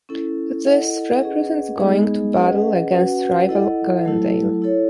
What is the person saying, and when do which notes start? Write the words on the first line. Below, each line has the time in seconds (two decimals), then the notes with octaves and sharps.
This represents going to battle against rival Glendale.
0.09 C#4 E4 A4
0.65 E4 A4 D#5 F#5
1.22 C#4 G#4 B4 D#5 F#5
1.79 G#3 B3 D#4 G#4 D#5
2.35 C#4 G#4 B4 D#5 F#5
2.91 C#4 F#4 B4 F#5
3.49 E4 A4 D#5 F#5
4.05 F#3 A3 E4 A4
4.62 E4 A4 C#5